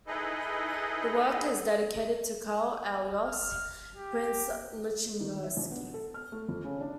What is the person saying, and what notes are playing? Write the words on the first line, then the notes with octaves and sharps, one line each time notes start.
The work is dedicated to Karl Alois, Prince Lichnowsky.
D#4 E4 G#4 A4 B4 D#5
F6
G4
D#3
E5
A#1
B3
A4
F6
A3
F2
C#3
D4